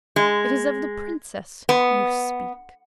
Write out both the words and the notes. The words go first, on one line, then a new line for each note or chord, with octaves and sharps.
"It is of the princess you speak."
G#3
B3